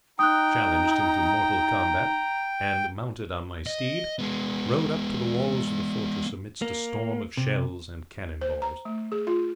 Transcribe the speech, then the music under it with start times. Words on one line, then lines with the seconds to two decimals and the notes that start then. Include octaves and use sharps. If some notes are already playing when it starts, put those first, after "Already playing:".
I challenged him to mortal combat, and, mounted on my steed, rode up to the walls of the fortress amidst a storm of shells and cannon-balls.
0.19 D#4 G5 A#5 D#6 F#6
3.67 D#5
4.19 G#3 B3
6.62 A#3
7.37 C3
8.41 C5
8.62 A#5
8.85 A3
9.12 G#4
9.27 F4